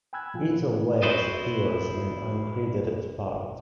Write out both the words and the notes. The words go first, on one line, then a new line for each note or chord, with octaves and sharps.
Ethel Wales appears in an uncredited part.
G5 G#5 B5 E6 F#6 G#6
A#2 F3 F4
E4 F#4 B4 C5 D5 D#5